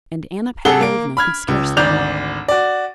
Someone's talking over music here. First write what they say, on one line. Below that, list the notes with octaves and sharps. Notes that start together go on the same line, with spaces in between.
And Anna Pavlovna could scarcely walk....
C3 G#4 A4 F#5 G7
A#3 D7
B5 F6 G#6
C#2
G#1 D2 D5 G6 F7
F#4 D5